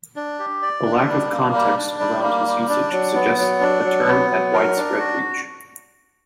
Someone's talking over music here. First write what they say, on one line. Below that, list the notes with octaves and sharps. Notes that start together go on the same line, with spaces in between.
The lack of context around his usage suggests that the term had widespread reach.
D4
G4
D5
D4
G3
A#3
G3
D4
G3
A#3
G3
D4
F#3
B3
F#3
D4
F#3
B3
F#3
A#4
D4
F#4